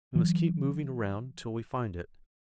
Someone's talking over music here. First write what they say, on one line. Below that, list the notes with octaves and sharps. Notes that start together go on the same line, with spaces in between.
We must keep moving around until we find it.
E3 F#3